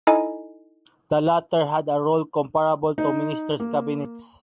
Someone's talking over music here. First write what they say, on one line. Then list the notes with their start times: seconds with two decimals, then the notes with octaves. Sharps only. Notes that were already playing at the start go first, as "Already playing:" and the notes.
The latter had a role comparable to ministers’ cabinets.
0.07 D#4 E4 A4 D#5 G#5
2.98 D#4
3.60 A#3